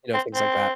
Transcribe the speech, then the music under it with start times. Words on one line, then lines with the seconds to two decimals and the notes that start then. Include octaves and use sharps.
You know, things like that.
0.14 C4
0.35 C4